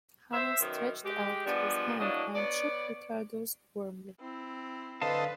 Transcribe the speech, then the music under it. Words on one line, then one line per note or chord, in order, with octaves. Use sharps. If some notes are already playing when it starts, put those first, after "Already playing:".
Hanaud stretched out his hand and shook Ricardo's warmly.
C5 E5
F#2 B2 D#3
G#3 G4
F3 G3 G#3 B3 D4
A2 F#3 A#3 D4 D#5
B3 C#5 D5
C4 E4
D3 A4 B4 C5 D#5 F5 A5